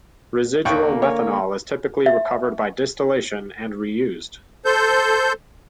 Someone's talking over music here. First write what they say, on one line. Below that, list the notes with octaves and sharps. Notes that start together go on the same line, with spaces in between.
Residual methanol is typically recovered by distillation and reused.
D#2 D3 A#3 G5 C#6
C#5
E5
A4 C5 G6